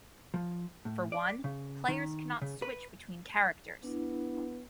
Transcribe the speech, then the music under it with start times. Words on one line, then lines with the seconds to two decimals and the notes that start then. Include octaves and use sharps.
For one, players cannot switch between characters.
0.34 F3
0.85 A2
1.12 D5
1.44 C#3
1.88 D#3
2.42 C#3
2.62 B4
3.83 B3 D4 E4